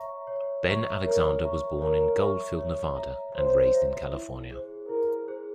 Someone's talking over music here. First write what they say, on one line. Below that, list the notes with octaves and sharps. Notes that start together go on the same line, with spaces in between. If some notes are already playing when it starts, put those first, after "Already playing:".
Ben Alexander was born in Goldfield, Nevada, and raised in California.
Already playing: C#5 E5 A#5 C#6
C#5
E5 A#5 C#6
A#4 C#5
E5 A#5 C#6
A#4 C#5
E5 A#5 C#6
C#5
E5 A#5
C5 C#5
E5 A#5
E4
G#4 C5
E4 A#4
G#4 C5